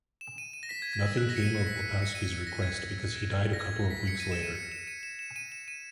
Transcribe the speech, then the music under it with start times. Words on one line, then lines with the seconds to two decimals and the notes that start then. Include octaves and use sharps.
Nothing came of Wapowski's request, because he died a couple of weeks later.
0.21 E7
0.38 D#7
0.54 D#7
0.63 A#6
0.69 B6
0.82 G#6
0.93 G#6
1.06 E6
1.17 F#6
1.30 A#6
1.36 C#7
1.43 D#7
1.54 C#7
1.67 B6
2.02 C#7
2.15 D#7
2.47 A#6
2.62 G#6
3.53 A#6
3.59 G#6
3.91 B6
4.07 C#7
4.20 D#7
4.32 E7
4.43 D#7
4.55 C#7
4.72 E7
4.87 D#7
5.03 E7
5.19 E7
5.36 D#7
5.52 E7
5.68 D#7